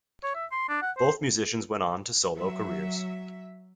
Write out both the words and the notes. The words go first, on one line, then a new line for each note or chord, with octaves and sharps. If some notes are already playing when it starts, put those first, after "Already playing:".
Both musicians went on to solo careers.
C#5
E5
C6
D4
F#5
C5
F#3 E5